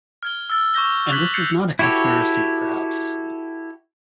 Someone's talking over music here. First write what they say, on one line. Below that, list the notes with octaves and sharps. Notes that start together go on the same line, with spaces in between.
And this is not a conspiracy, perhaps?
F6 G#6 G7
E6 F6 A6
C#6 D6 G6 A#6 G7
D6 F#6 G#6 B6 F#7
F#6 G6 A6 C7 C#7 F7
E4 F#4 G4 A4 C#5